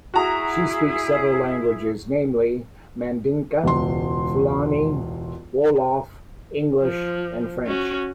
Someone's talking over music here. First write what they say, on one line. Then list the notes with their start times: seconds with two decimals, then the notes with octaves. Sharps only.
She speaks several languages, namely: Mandinka, Fulani, Wolof, English and French.
0.14 E4 F#4 G#4 A#5
3.64 E1 C#2 C6
6.82 F3
7.67 C#4 F#4